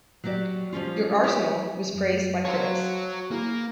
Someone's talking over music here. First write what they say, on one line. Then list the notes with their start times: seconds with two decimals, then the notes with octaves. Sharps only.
"Your Arsenal" was praised by critics.
0.24 F#3 F#4 G4 D5
0.73 F3 G3 C#4 F4
1.23 E4 G4 G#4 A#4 C#5
1.94 F#2
2.45 F#4 C5 C#5 F5 A5
3.31 A#3 E4 G#4